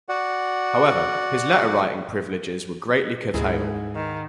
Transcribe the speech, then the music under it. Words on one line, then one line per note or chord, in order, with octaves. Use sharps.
However, his letter-writing privileges were greatly curtailed.
F#4 D5 F#5
D2 G#2 E3 G#3 G#4
D#3